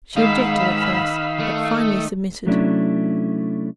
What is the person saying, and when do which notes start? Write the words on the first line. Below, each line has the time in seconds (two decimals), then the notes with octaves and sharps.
She objected at first, but finally submitted.
0.16 G#2 D#3 D#4 F5 B5 E6 B6
1.39 A3
2.46 C3 F#3 A3 C#4 D4 E4